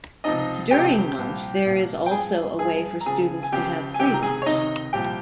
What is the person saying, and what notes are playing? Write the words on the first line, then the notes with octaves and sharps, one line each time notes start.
During lunch, there is also a way for students to have free lunch.
C#2 C3 F3 D#4 D#5
C#2 C3 F3 G4 G5
C2 A#2 F3
C2 A#2 F3
G5
G2 F3 G#4 G#5
G2 F3 G#4 G#5
A#5
C#2 C#3 F3 G#4 G#5
G#5
C#2 C#3 F3 G4 G5
G#5
C#2 C3 D#3 G4 G5
A#5
G#4 G#5
C#5
C#2 C3 D#3 D#4 D#5
C2 A#2 F3 G4 G5